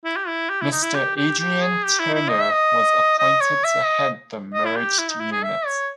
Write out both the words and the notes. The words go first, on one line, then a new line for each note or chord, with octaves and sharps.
Mr Adrian Turner was appointed to head the merged unit.
E4
G4
E4
G4
E4
D#4
E4
G4
G4
G4
G#4
G4
E4
E4
D#5
E5
D#5
D#5
C#5
E5
D#5
D#5
E4
G4
E4
D#4
E4
G#4
E5
C#5